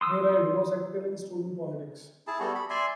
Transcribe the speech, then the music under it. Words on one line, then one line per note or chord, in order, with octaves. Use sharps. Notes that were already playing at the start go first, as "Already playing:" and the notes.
Hareide was active in student politics.
C6 D#6 E6
E4 G#4 A5
G3 B3 F#4 A4
B5
D5 E5 G#5 C6